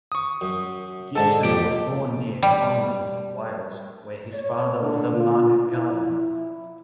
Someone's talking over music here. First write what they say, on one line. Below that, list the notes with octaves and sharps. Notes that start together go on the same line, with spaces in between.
Gibson was born near Conwy, Wales, where his father was a market gardener.
C#6 D#6
F#2
G#2 D3 A4 A5
F2 D#4 G4 D7
G3
C#5
D3
F4
E4